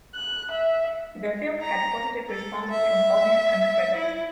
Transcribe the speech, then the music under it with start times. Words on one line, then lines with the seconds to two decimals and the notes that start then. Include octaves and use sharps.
The film had positive responses from audience and critics.
0.15 F#6
0.51 E5
1.61 A#5
2.30 A4
2.71 E5
3.96 E4